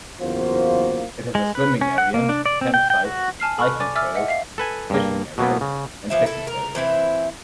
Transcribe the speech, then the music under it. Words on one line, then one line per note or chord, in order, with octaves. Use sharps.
It has a swimming area, camp sites, hiking trails, fishing areas, and picnic areas.
F#1 E2 A#3 F4 F#4 C5
G#3
B4
C#4
F#5
A#3
D4
D5
C4
G5
G5
F#4
G#5 A5 F6 C7
A4 B5 C#6 F6 F#6
D5 G#5 D6 A6
E5 G#5 D6 E6 F6 A6
D#5 E5 F#5
E5 F5 C7
A4 B4 G#5
G2 A#3
B2 F#3 A#3 B3
C#3
E3 F3 E5
E4 A4
A#4
E3 C4 E4